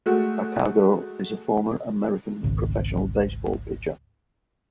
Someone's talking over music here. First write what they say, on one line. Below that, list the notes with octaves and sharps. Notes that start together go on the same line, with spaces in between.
Accardo is a former American professional baseball pitcher.
G#3 A3 F#4
G#1 C#2